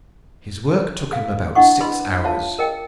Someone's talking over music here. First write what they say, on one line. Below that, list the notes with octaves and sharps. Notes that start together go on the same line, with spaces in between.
His work took him about six hours.
A4 F5
D4 E4 D#5 F#5 C#6
B4 D#5 B5 C6
F4 C#5 E5 F5 A5
A#4 D#5 G5